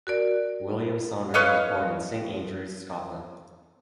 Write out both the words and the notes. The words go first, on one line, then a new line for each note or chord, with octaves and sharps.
William Saunders was born in Saint Andrews, Scotland.
F#4 A#4 D5
B4 C#5 D#5 F5